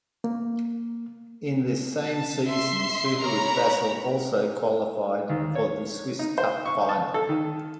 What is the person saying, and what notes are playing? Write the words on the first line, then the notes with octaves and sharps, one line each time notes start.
In this same season Suter with Basel also qualified for the Swiss Cup final.
A#3
A5
E5 C6 C7
A#4 C#5 A#5 B5
D#2
C#5
D#4
C5
C#6
A5
A4
D#3